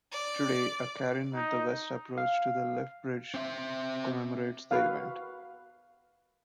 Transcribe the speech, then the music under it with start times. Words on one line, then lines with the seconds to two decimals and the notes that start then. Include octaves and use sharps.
Today, a cairn at the west approach to the lift bridge commemorates the event.
0.12 D5
1.35 D#4
2.18 F5
3.34 C4 E5
4.71 F#4 A#4 B4 F5